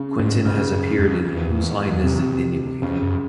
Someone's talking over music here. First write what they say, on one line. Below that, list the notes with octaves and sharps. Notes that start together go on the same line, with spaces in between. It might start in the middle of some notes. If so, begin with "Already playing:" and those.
Quentin has appeared in Whose Line Is It Anyway?
Already playing: C#3
G#2
G#2 C#3
F#2
F2
E2
C3
F2 C#3
F#2